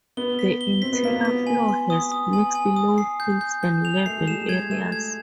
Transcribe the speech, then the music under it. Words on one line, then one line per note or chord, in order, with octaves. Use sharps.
The interior floor has mixed low hills and level areas.
B3 G7
B6
G7
C4 B6
B3
A#3 B6
B3
B6
G#5
C6
D#6
D#6
G#5
G#5
D#6
C7
G6
G6
G6
F7
A3 C7
G#3
G3 E7
G#3
G#6
A3 E7
G#6